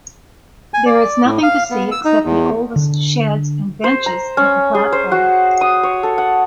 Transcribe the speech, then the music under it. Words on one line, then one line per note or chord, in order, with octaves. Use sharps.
There is nothing to see except the oldest sheds and benches at the platform.
G#5
D5
A2
F5
B3
E6
D#4
E2
D3
C5
A#5
C#4
G#4
C5
F#4
D#6
C#5
A4
F#5